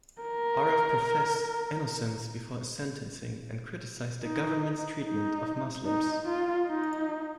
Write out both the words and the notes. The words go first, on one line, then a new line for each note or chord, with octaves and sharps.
Aref professed innocence before his sentencing, and criticized the government's treatment of Muslims.
A#4
D#4
D#4
D#4
F4
D#4